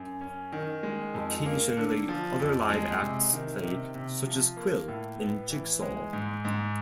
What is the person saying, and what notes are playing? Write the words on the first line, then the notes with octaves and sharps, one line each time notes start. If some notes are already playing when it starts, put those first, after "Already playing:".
Occasionally other live acts played such as Quill and Jigsaw.
Already playing: F#2
C#4
D#3
G#3
F2
A#3
D3
F3
F2
G#3
C3
D#3
C3
C3
F3
A#3
A2
B3
E3
G#3
G#2
G#2